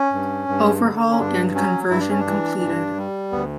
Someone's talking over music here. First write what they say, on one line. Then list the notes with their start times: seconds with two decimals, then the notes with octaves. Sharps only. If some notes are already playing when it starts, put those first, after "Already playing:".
Overhaul and conversion completed.
Already playing: C#4
0.13 G2
0.48 G2
0.84 D3
1.10 C#4
1.19 G2 D4
1.55 F#3 C#4
1.90 G2 E4
2.00 D4
2.10 C#4
2.19 D4
2.26 E3
2.61 G2
2.97 G3
3.32 D2 B3